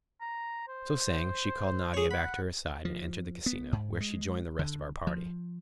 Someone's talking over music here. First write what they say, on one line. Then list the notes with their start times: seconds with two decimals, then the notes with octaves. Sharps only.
So saying, she called Nadia back to her side, and entered the Casino, where she joined the rest of our party.
0.21 A#5
0.68 C5
1.94 G#4 C#5
2.11 F#5 B5
2.85 F3
3.46 B3
3.73 G#2
4.00 G#3
4.59 D3
5.07 F3